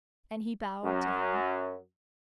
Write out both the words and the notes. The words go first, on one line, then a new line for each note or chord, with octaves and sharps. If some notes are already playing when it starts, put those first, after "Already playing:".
And he bowed to him.
F#2